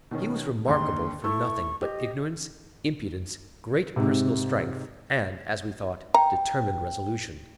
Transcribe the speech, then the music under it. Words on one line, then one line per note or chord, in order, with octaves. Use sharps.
He was remarkable for nothing but ignorance, impudence, great personal strength, and, as we thought, determined resolution.
B2 D#3 C#4
D#2 G#2 D3 C6
A3 E4 A4 C#6
G4 D#5
G#2 C3
G5 A#5